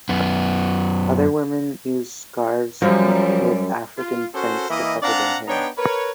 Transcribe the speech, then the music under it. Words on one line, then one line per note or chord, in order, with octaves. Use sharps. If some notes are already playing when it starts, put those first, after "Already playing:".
Other women used scarves with African prints to cover their hair.
F#2 B3
F#2 F3 G3
F4
C#4 F#4 A4 A#4 C5
E3 A#3 E4 D#5
C4 D4 D5 F5 F#5 A#5
B3 D4 D#4 C#5 G5
A#4 B4 C#5